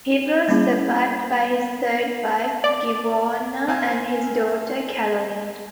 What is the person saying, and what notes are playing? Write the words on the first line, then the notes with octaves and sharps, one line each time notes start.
He was survived by his third wife Giovanna, and his daughter Caroline.
G3 A#3 B3 C#4 E4 G#4
D5
C4 F5 G#5